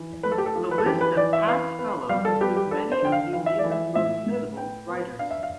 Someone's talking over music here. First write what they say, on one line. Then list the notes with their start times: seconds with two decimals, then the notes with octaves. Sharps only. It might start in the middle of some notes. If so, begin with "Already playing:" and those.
The list of past fellows includes many of New Zealand's most notable writers.
Already playing: E3
0.23 A3 B4
0.32 A4
0.38 G4
0.46 A4
0.56 F3
0.71 B4
0.78 A4
0.86 E3 G4
1.01 B4
1.16 E3 D5
1.33 E5
1.47 B3 F5
1.79 B3
2.09 G3 F5
2.25 A4
2.41 B3 G4
2.56 G4
2.71 D4 A4
2.92 C5
3.02 D3 G5
3.12 F5
3.33 E3 F5
3.46 E5
3.59 D5
3.64 E3
3.71 E5
3.95 A2 E5
4.26 A2
4.57 B3 G5
4.89 B3
5.19 D4 F5
5.31 E5
5.43 F5